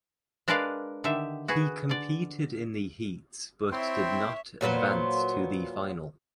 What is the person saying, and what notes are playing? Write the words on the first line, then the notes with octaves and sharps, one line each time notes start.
He competed in the heats but did not advance to the final.
G#3 D4 A#4 B4 D5 F5
D3 D#3 G4 E5
F#4 G#4 B4
D3 D5
C4 E4 C#5 E5 G5 C6
A#2 F#3 B3 C5